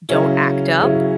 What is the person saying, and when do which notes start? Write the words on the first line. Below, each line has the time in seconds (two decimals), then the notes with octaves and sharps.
"Don't act up,
0.09 C#3 F#3 C#4 E4
0.82 C#3 F#3 C#4 E4